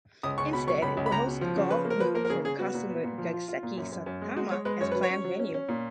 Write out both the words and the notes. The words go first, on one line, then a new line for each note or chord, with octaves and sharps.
Instead it will host Golf moved from Kasumigaseki, Saitama as planned venue.
C#2 D#6
C#2 C#6
B2 B5
F#3 C#6
C#2 B5
C#2
B5
C#2 A#5
B2
F3
C#3
F3 B4
A#3
A#4
F3 B4
A#3 A#4
A#4
C#3 G#4
C#3 G#4
B3 F#4
A#2
B3
A#2
F3
F4
F4
A#2
F#2
F#2
F#2
G#3
G#3 F#4
G#3 C#5
G#3 B4
F#2 C#5
F#3 B4
C#5
C#4
F#3
C#4
C#4
A#2